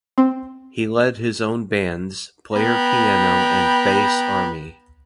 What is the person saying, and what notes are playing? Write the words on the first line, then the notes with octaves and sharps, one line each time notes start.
He led his own bands, Player Piano and Bass Army.
C4
B3 G5 A#5 B5